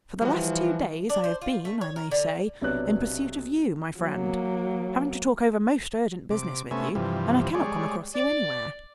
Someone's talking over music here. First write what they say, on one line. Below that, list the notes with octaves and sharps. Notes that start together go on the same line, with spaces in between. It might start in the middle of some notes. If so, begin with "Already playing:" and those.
For the last two days I have been, I may say, in pursuit of you, my friend, having to talk over most urgent business with you, and I cannot come across you anywhere.
E3 F3 G3 F#4
D4
C5
F4
A3
C#5
A#4
D3
B1 C3 D4 B4 C#5 F#6
F#3 A#3
C3 D6
C3 A3 B3 C#4 E5 G#5
G2 C3 E3 F3 G3
G3 G#3 G#4 C#5 D5
D5